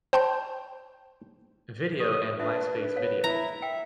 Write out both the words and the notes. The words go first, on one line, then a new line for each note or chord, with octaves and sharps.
Video and MySpace Video.
C5 G5 A5 C6 G6
G4 C5 D#6
D4 F4 B4 E5
B3 C#5 F5
E4 A#5
E5 G5